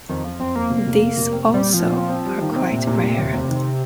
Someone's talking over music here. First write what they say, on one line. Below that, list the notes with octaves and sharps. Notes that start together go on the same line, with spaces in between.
These, also, are quite rare.
F2 D#3
F2 F3
F2 C4
F2 A#3
F1
F1
F1
F1
C4
A#2
G3
C4
F3
A#2
C4
C4
G3
D#3
A#2
C3 C4
A#2
A#2
A#2
D#2
F1
D#3